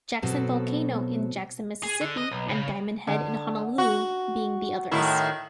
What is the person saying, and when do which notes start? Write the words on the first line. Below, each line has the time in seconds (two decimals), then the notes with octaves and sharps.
Jackson Volcano in Jackson, Mississippi and Diamond Head in Honolulu being the others.
0.22 B2 F#3 C4 A4
1.83 G#4
2.01 D3
2.18 D#5
2.31 B1
2.49 C#3
3.07 D3
3.78 F#4
4.91 A2 D#3 E4